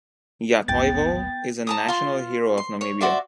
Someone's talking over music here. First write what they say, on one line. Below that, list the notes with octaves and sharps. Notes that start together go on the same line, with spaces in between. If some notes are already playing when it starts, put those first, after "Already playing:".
Ya Toivo is a national hero of Namibia.
A1 D#2 G#2 B3 G5 A6
A5 A#5 D#6
F4 C6
C6
C#5
F#4 C5 D5 E5